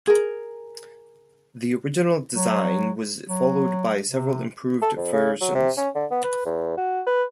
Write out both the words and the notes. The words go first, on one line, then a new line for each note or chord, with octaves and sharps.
The original design was followed by several improved versions.
G#4 A#4
F#3
F#3
C3
A4
F2
C#3
F#3
C3
C#4
D3
B3
B4
E2
F#4
B4